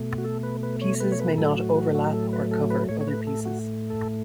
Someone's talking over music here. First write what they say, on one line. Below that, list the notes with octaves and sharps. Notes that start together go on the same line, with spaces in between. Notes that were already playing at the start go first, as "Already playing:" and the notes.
Pieces may not overlap or cover other pieces.
Already playing: B2 A3
F#4
A4
B4
B4
C#5
B4
C#5
B4
A2 F#3 A3 A4
F#4
F#4
F#4
A4
B4
A4
B4
A2 A3 C#5
C#5
B4
A4
F#4
A4